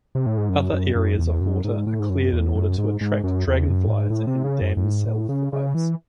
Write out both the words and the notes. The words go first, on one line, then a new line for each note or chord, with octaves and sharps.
Other areas of water are cleared in order to attract dragonflies and damselflies.
C3
A2
G#2
F#2
F#2
F#2
E2
F#2
G#2
A2
G#2
F#2
E2
F#2
G#2
G#2
F#2
E2
F#2
A2
G#2
A2
C3
C#3
F#2
F#2
G#2
A2
C#3
C#3
E3